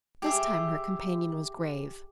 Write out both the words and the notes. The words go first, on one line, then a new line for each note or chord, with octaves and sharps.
This time her companion was grave.
G4 G#4 E5